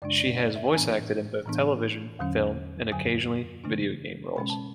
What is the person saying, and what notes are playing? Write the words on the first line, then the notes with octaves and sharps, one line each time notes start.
She has voice acted in both television, film and occasionally video game roles.
F#2 C#3 G#3 D4 D5
D5
D5
E5
A2 E3 B3 D4 G#5
A2 E3 B3 D4
E2 D3 F#3 C#4
F#2 D3 F#3 G#5
C#3 E3 A3 D4
B2 G#3 C#4 B5
A5